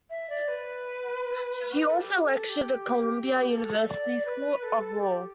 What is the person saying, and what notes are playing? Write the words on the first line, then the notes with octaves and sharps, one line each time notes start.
He also lectured at Columbia University School of Law.
E5
D5
B4
A4
G4
A4
G4
A4
D5
D5
B4
A4
G4